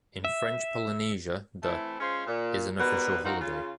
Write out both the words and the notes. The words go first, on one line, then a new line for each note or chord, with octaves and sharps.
In French Polynesia, the...is an official holiday.
E5
E3 A3 C4 E4
G#3 C#4 F4 C5
A#2
G#2 B2 G3 B3 A#4 B4
C4 D#4 F4 F#4 A#4 F#5
C#3 F4